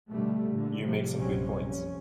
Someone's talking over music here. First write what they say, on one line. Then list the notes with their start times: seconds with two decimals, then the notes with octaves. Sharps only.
You make some good points.
0.11 B2 D3 G3 A3
0.51 A#2 D3
0.82 A2 C3 F3 G3
1.15 A#1 F#2 C3 F#3 G3 C#4
1.64 F2 C#4